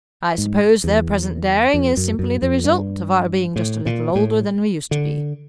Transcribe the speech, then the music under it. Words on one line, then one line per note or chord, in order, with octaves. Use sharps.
I suppose their present daring is simply the result of our being just a little older than we used to be.
G#2
E2
F2
F#2
F#2
F2
G2
A2
A#2
A2
D3